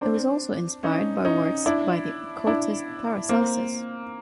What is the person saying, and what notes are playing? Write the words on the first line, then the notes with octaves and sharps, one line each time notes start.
It was also inspired by works by the occultist Paracelsus.
C4 D4
C#4 D#4
C#4 D#4
D4 E4
D4 E4
A#3 C4